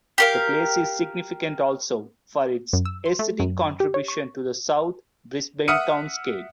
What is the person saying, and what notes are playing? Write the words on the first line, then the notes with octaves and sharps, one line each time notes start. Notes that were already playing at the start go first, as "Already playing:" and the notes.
The place is significant also for its aesthetic contribution to the South Brisbane townscape.
G4 A#4 F5
F#2
E6
C6
A3
F#2
G4
C#5
C#6
E5 F#5 D#6 F6 C#7 D#7